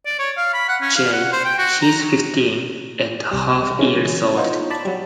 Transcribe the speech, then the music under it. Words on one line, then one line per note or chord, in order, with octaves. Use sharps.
Jay: He is fifteen "and a half" years old.
D5
C#5
F5
B5
F#5
C#4
F5
F#5
C5
G5
F#4
A#5
C2 G3
G3
C#3 E3 G#3 C#4
B3 D#4 F4 C5 C#5
D5 A5 B5
F#3 G3